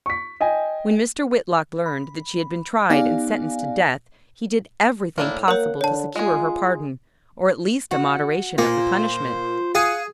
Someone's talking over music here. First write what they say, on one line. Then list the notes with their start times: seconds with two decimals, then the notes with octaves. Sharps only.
When Mr. Whitlock learned that she had been tried and sentenced to death he did everything possible to secure her pardon, or at least a moderation of the punishment.
0.06 C#6 B6
0.41 D#5 G5 G#5
1.86 B5
2.90 B3 D#4 G4 D5 F5 G#5
5.18 A2 A#3 D4 E4
5.48 A#3 A#4 C#5 F#5
5.81 D3 C#5 A5
6.16 G#3 F4 G#4
7.91 F#4
8.58 A#2 A#3 F4 C5
9.75 G#4 F5 F#5